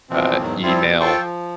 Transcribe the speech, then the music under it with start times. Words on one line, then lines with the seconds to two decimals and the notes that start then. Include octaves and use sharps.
uh, email,
0.10 B2 E3 F3 C4
0.38 E2 G#2 B2 D#3 F#3
0.63 F3 G3 C4 E4 F4
0.82 B2
1.00 F4 A4 C5 G5 C#6
1.17 F3